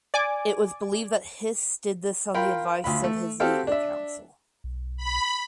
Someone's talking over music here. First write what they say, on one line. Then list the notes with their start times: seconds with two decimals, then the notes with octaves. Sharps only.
It was believed that Hiss did this on the advice of his legal counsel.
0.14 D5 G#5 D6
2.34 F4 A#4 G5 B5
2.84 D2 F4 B5
3.04 A3
3.40 C4 F#4 G4 A4 F5 G5
3.67 D4 E5
4.64 B1
4.97 B5